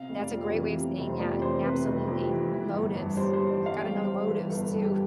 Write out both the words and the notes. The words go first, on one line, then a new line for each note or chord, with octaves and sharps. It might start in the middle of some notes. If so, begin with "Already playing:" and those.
That's a great way of saying that, absolutely, motives. Gotta know motives, too.
Already playing: C3 F5
F1
D5
F2
E3
C3
F1
C5
F2 D5
E3 C5
C3 B4
F1
F2
E3
E3
G1
G2
G3 C5
C5
E3
D5
G1 F5
G2 G5
G3 C5
E3 B4
G1 A4
A4
G2
G4